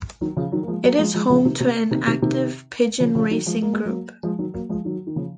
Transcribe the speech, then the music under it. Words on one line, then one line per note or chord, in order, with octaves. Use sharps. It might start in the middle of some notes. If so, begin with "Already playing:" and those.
It is home to an active pigeon racing group.
D#3 F#3
C#3 F3
D#3 F#3
A#3
F3 G#3
F#3 A#3
F3 G#3
F3 G#3
C#3 F3
C3 D#3
C3
C3 D#3
C3 D#3
C3 D#3
C#3 F3
C#3 F3
D#3 F#3
F3 G#3
A#3
G#3
F#3 A#3
F3 G#3
D#3 F#3
F#3 A#3
F3 G#3
D#3 F#3
D#3
C#3 F3